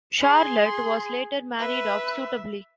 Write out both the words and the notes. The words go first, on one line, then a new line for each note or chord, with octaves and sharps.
Charlotte was later married off suitably.
G#4 C6
B4 E5